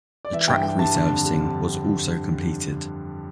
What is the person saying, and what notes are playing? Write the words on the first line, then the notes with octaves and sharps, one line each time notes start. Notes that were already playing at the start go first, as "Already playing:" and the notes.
The track resurfacing was also completed.
D5
E3 E5
G2 G5
G3 G5
G2 A5
D3
F2
G3
F2